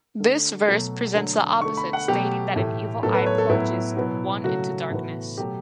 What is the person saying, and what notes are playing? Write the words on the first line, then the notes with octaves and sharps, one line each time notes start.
This verse presents the opposite stating that an evil eye plunges one into darkness.
D3 A3
B2 F#3 A3
D3 F#3 A3
D3 A3 C#6
B5
F#5
B2 F#3 A3 G4
A2 E3 A3
A2 F#3 B3 A4
B4
C#5
A4
A2 F#3 B3 E4
B2 F#3 B3
C#3 F#3 A3 F#4
A2 E3 B3
B2 F#3 A3 G4